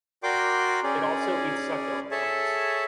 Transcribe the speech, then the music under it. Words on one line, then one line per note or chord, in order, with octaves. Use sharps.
It also eats succulent plants.
F#4 A#4 D5 G5 C6 D6
C#4 G#4 D5
G#4 A4 C#5 E5 A5